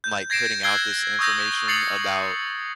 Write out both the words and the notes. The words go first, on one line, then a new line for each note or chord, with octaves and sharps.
like, putting out this information about
G6
G#6 A#6 C7 D7 E7
E6 F#6 G#6 C7 D7 G7
C#6 D#6 E6 G6 A#6
D#6 A6 C7 C#7 F#7